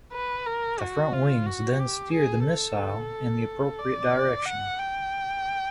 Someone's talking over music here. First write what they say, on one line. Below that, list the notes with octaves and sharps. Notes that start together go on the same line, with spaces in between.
The front wings then steer the missile in the appropriate direction.
B4
A#4
F#4
F4
F#4
G4
G#4
A4
D5
F#5
G5